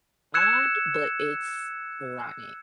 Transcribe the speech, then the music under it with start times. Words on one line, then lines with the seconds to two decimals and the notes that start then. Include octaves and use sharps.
Odd, but it's rotten
0.34 E6 F#6 G#6 C#7 E7